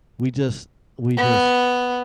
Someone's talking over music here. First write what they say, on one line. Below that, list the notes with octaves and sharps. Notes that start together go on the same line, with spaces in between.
we just we just
B3